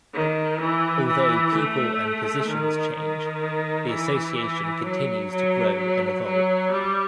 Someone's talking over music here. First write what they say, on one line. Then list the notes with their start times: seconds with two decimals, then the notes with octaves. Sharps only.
Although people and positions change, the Association continues to grow and evolve.
0.14 D#3
0.60 E3
1.08 E3
1.55 A3
2.48 D#3
2.95 D#3
3.89 E3
4.36 E3
4.83 F#3
5.31 F#3
5.77 F#3
6.24 F#3
6.71 G3